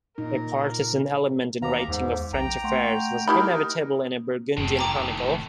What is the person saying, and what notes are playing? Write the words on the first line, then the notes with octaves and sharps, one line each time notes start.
A partisan element in writing of French affairs was inevitable in a Burgundian chronicle.
A#2 D#4 A#4
D#2 D#3 F5 A#5 D6
E2 G#2
B1 G5 A#5
A3 F#5 C6 C#6
D#4 E4 G4 A#4 B5 D#6
F1 A2 D#3
G5 A#5 D6